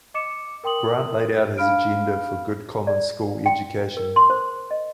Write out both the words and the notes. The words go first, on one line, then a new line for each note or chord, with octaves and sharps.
Grant laid out his agenda for good common school education.
D#5 D6 C#7 E7
A#4 G5 C6 D#6 F#7
D4 F5 B5 F6 D7
D5
G5
A#4
C6
C5
D#5